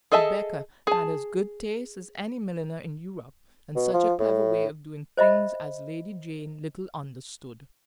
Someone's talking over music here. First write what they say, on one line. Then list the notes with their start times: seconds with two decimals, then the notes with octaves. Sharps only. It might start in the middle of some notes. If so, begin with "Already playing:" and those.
Rebecca had as good taste as any milliner in Europe, and such a clever way of doing things as Lady Jane little understood.
0.12 G#4 A4 D#5 E5 A5
0.87 G#4 A5
3.75 B2
3.93 F3
4.19 A2
5.17 C5 D#5 E5 B5